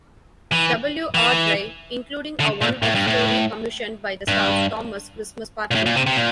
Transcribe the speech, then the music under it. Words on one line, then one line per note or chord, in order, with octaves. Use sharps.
W. Awdry, including a one-off story commissioned by the staff, "Thomas' Christmas Party".
E3
E3
D3
A#2
A2
G2
A2
G2
A#2
A2
A#2
C3
C3
A#2